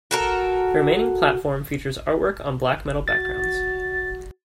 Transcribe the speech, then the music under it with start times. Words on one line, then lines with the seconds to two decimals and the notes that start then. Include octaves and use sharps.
The remaining platform features artwork on black metal backgrounds.
0.11 F#4 A4 A#4
3.08 F#4 A6